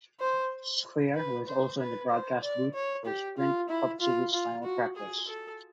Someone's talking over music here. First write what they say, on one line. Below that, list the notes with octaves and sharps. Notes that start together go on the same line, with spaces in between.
Squier was also in the broadcast booth for Sprint Cup Series final practice.
C5
B4
C5
B4
C5
D5
C#5
G4
F4
E4
F4
F4
F#4
G#4
A4